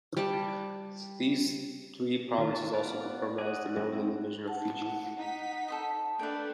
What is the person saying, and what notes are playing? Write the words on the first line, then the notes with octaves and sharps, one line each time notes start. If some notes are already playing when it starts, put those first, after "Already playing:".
These three provinces also comprise the Northern Division of Fiji.
G3 D5 G5 A5
D#3 F4
A5 C#6
B3 C#5 D5 F5
G#4 D5 D#5 F#5
G#3 A3 C4 E4 F#4
F#5 A5
D#4 B6
A4 C5 D#5
A3 D4 B4 G5